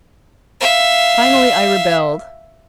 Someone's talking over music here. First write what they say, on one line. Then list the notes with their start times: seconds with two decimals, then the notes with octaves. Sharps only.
Finally I rebelled.
0.60 E5 F5